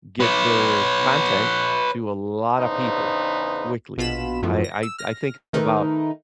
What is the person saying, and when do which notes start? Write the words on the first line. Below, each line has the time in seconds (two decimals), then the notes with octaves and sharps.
get their content to a lotta people quickly. I I I think about,
0.20 B4 C#5
2.60 E2 C#3 D4 D#4 B4 C5
3.97 A#1 B2 F4 B5 E7
4.42 F#2 A2 F3 A3 B3
4.64 A#6
4.83 E6
4.98 F6 A#6
5.53 D#3 A3 D#4 A#4 B4